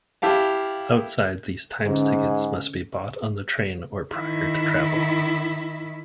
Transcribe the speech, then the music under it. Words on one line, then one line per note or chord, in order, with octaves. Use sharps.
Outside these times tickets must be bought on the train or prior to travel.
E4 G4 F5 A5
G#2 D3 C#4
D#3 E4